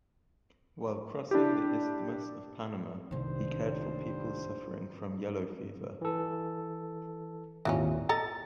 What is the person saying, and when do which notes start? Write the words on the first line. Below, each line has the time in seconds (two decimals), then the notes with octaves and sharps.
While crossing the Isthmus of Panama, he cared for people suffering from yellow fever.
1.31 D4 E4 G4
3.11 C2 G2 D#3 C5
6.01 E3 A4
7.65 G#1 D#2 A#2 E3 A#3 C#4
8.09 A4 D#5 A#5 A6